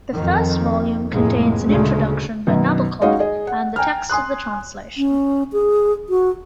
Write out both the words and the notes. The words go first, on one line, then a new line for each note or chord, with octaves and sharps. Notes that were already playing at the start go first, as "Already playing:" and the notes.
The first volume contains an introduction by Nabokov and the text of the translation.
F2 D#3
F1 A2 G#3 A#3
D2 A#2 C#3 G#3 A3
F#2 B2 D#3
G#3 C#4 D#4 F#4 D#5 F5
G#4 D#5
F#5
G5 G#5 A#5 F6
G#5 C6 D#6 F#6
C#4
G#4
F#4